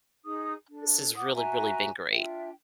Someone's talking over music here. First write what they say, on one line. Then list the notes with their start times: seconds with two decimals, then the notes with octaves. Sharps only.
this has really, really been great.
0.24 D#4 G#4 D#6
0.70 D4 A4
1.16 F#5 D6 D#6
1.33 F#4 E5 G#5 A#5
2.11 D4 F4 E5 G5